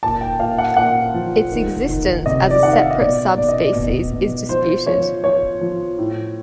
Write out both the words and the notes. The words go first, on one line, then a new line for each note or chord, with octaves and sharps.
Its existence as a separate subspecies is disputed.
A#2 A5
G5
A#2 F5
F#5
A#2 F#5
F3
D#3
D#3
C3 D#5
D5
D#3 F#5
F5
E5
D#5
B2 D5
B2 D5
D#5
D5
B2
B2
F3 C5
F3 C#5
F3 C#5
F3
A2